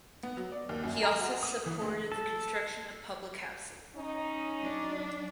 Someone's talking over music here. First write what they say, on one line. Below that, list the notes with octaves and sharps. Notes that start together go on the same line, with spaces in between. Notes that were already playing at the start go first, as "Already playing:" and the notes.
He also supported the construction of public housing.
B3
F#3
D5
D#2
F#2
A#5
F#4
D#6
E3
D2
A4
C#4 D#4
F#3 D4